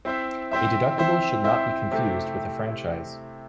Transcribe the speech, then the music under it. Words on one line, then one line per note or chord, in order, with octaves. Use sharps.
A deductible should not be confused with a franchise.
C4 E4 C5 E5
C4 E4 C5 E5
C4 E4 C5 E5
C4 E4 C5 E5
C3 A3 C4 E4 G4